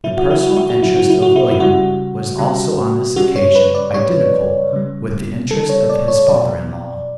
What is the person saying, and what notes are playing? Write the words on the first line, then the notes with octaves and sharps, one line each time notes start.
The personal interest of William was also on this occasion identical with the interest of his father in law.
C#3 F#3 E4
F#4
E4
F#4
E4
F#4
C#3 F#3 E4
F#4
E4
F#4
E4
E4
C#3 G3 F#4
C#3 G3
C#3 G3 F#4
C#5
B4
D5
C#3 G3 C#5
C#3 G3
C#3 G3 A4
C#5
D5
C#5
B2 F#3 D5